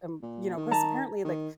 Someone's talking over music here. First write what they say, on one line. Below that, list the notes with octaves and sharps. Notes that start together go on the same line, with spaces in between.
um you know, 'cause apparently, like,
A#2
D#3
A5 A#5
D#3